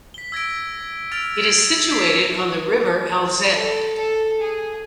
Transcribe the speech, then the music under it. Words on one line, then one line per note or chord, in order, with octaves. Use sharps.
It is situated on the river Alzette.
B6 G7
E6 G#6 A#6 D7
E6 F6 A6 D7 F7
G#6 A#6 C7 D7
B6 C7
A4
A4
G#4